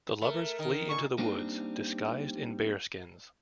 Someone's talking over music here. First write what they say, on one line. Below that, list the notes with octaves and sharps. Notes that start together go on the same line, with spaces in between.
The lovers flee into the woods, disguised in bear-skins.
A3 A#4
D#3
A#2 C#6
G3 A#3 C4 D4 D#4